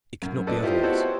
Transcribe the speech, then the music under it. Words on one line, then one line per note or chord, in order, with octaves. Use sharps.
It could not be otherwise.
F#2
A3 A4 B4 D5 D#5
E4 F4 G4 C5 D#5
B3 F#4 G4 A4 C5 C#5